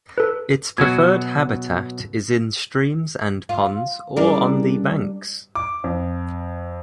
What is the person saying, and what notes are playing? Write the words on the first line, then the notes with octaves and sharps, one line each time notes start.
Its preferred habitat is in streams and ponds or on the banks.
A4 B4
B2 F#3 F#4 G#6
F4
G3 C#4 D4 E4 G#4 A#4
D6
F2